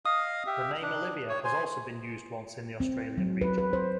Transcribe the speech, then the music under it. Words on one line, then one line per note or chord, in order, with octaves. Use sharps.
The name Olivia has also been used once in the Australian region.
D#5 F5 D#6
G4 E5
D4
C#5
C5 G#5
C4
F#3
B4
B4
C5